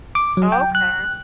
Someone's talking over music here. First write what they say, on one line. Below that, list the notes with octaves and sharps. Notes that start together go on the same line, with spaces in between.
Oh, okay.
D6
F#3
G5
F#6